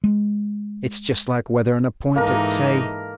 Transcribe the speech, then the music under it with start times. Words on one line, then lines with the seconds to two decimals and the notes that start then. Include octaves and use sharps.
It's just like weatherin' a point at say.
0.04 G#3
2.16 G#2 E3 A#3 D#4 A4 A#4